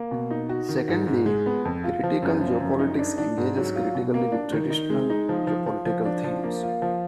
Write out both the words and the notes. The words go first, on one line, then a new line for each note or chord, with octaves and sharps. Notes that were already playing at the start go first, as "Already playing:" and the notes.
Secondly, critical geopolitics engages critically with 'traditional' geopolitical themes.
Already playing: A#3
B2
D#4
F#4
D#3
G#2
G#2
G#3
B3
F2
F4
F3
F#2
F3
F#2
D#4
D4
D4
G#2
F#3
F4
B2
A#3
D4
D#3
D#4
G#3
D#4
F3
F3
F3
F3
D4
F3
A#3
F4
F3